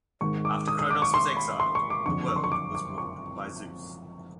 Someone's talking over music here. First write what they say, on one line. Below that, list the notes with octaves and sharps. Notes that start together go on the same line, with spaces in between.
After Kronos was exiled, the world was ruled by Zeus.
G#1 G#2 D#3 G#3 C#6
D6
D#6
D#6
D6
C#6
C6
B5
C6
C#6
D6
F#1 F2 D3 C#6
C#6
C6
C#6
D6
D6
C#6